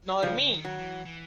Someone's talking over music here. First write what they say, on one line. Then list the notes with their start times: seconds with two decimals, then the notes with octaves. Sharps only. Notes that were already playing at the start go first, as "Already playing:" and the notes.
Nor me.
0.23 C#3 F3
0.50 D#3
0.65 F#3
0.78 E3
1.05 E3